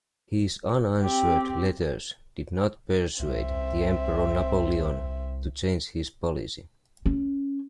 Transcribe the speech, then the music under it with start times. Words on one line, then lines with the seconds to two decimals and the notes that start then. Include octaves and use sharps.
His unanswered letters did not persuade the Emperor Napoleon to change his policy.
1.02 C4 G4
3.20 C2 C4 E5
7.06 C#4